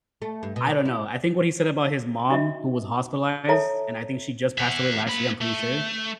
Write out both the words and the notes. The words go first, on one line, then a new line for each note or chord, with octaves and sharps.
I don't know, I think what he said about his mom, who was hospitalized, and I think she just passed away last year, I'm pretty sure,
A3
G2
B2
D4
E4
C#4 D#4 F#4 D#5 E5
A4 C#5 E5 A5 A#5
E5 F#5
A#3 B5
A3